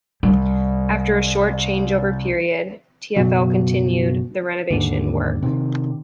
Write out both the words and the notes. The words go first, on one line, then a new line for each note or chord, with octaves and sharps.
After a short changeover period, TfL continued the renovation work.
C2 G3
F#1 B2 F#3
D#2 G#2 D3
C3 D#3